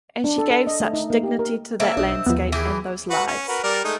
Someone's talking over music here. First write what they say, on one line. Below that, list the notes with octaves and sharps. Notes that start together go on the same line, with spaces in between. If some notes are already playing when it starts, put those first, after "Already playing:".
And she gave such dignity to that landscape and those lives.
D4
A4
A4
D#5
A3
D#4
A#3
G4
A#4
A#3 C4 C#4 A4 E5
B1 D4 D#5
D#2 F3 B3
E3 E4 G4 G#4
F#4 B4
C#4
F#4 A#4 B4
G3 A#4 D5
G#3 A3 D#4